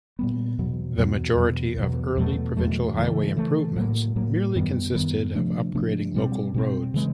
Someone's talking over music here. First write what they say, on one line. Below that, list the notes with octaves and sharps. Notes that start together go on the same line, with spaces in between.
The majority of early provincial highway improvements merely consisted of upgrading local roads.
A#2 G3 B3
E2 B2 F#3
E2 B2 F#3
E2 B2 F#3
E2 B2 F#3
E2 B2 F#3 A3
E2 B2 F#3 A3
C#3 E3 A3
C#3 E3 A3
A2 F#3 A#3
A2 F#3 A#3
F#2 D#3 G3 B3
F#2 D#3 G3 B3
C3 F3 A3 D4
C3 F3 A3 D4
B2 G3 C4
B2 G3 C4
C#3 E3 G#3 C4